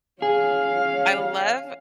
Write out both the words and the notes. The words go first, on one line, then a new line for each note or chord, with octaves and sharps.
I love
C#4 G#4 F5